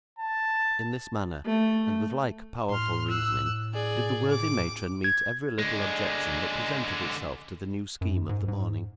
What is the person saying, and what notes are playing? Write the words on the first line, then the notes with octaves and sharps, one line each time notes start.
In this manner, and with like powerful reasoning, did the worthy matron meet every little objection that presented itself to the new scheme of the morning.
A5
A3
A2 C6 F6
E6 F#6
G#4 D5
D6
G#6
D3 G#3
F#2
G#2
G#2